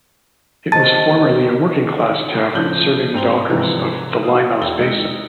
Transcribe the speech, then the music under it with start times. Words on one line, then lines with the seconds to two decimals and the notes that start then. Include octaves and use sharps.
It was formerly a working-class tavern serving the dockers of the Limehouse Basin.
0.72 D#2 D#3 C5 A5 A6
2.55 C#3 F3 D4 G6 F#7 G7
3.14 G#2 C4 F7 G7
3.48 G#2 C3 E3 F3
4.23 F5 D#6
4.61 E1 E4 G5 E6 G7
4.79 G#3 D#4 C#7